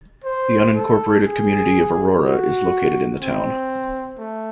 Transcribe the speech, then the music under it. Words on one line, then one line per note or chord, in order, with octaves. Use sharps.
The unincorporated community of Aurora is located in the town.
C5
A4
G#4
F#4
C4
A3